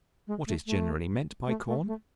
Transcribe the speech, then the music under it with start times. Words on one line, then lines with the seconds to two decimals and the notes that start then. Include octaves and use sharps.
What is generally meant by Corn?
0.27 G#3
0.47 A3
0.66 A3
1.47 A3
1.67 A3
1.87 A3